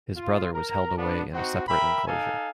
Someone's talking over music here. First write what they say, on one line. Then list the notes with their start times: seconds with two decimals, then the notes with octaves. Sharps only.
His brother was held away in a separate enclosure.
0.16 F4
0.54 A#4 A#5
0.98 B3 D4
1.34 C4 D#4 F#4
1.68 A#4 E5 G5 B5
2.07 D#4 A4 F5 G#5